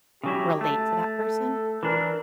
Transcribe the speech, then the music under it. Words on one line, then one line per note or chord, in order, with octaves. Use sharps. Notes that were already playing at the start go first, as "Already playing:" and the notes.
relate to that person,
C#3 F#3 E4 G4
A3 A5
A4
E3 D4 A#4